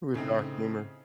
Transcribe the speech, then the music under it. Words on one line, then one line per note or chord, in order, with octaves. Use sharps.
With dark humor.
A2 C#3 C4 D#4